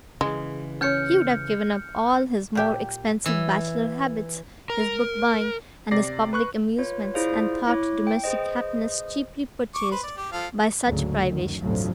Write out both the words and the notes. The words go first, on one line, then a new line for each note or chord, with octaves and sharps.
He would have given up all his more expensive bachelor habits--his book-buying, and his public amusements, and thought domestic happiness cheaply purchased by such privations.
C#3 E3 G#3
C#4 C#5 F6 G6 C#7
A#2 G4 E5
E3
A#4
C3 D5 A#6 C7
B4 C#6 F#6
F4 B4 C#5
E4 F4 G#4 C5 D5 F5
E4 C#5 D6
G5
G#4 B4 C5 D#5
C#6 D6
B4 C5
D5
G4
F3 A4 F5
D2 G#2 C#3 F#3
F#2 D#3
G1 D2 A2 C3 F3 F#3